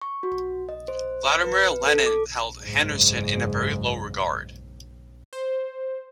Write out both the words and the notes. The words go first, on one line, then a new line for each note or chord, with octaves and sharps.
Vladimir Lenin held Henderson in very low regard.
C#6
F#4
D#5
C5
B4
A4
D6
F#1 G#2
C5